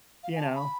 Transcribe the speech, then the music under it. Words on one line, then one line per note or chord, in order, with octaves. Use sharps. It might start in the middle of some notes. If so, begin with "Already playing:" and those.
you know.
F5
G#5
A5
B5